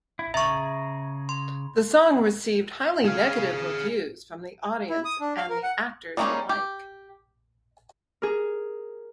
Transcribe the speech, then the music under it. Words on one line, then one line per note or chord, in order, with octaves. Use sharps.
The song received highly negative reviews from the audience and the actors alike.
E4
C#3 G#4 E5 A#5 C#6
C6
G#4 F5
E4
D#6
D4
F5
A#4
F#5
G3 G#3 A#3 C#4 D#4
G4
G#4 A#4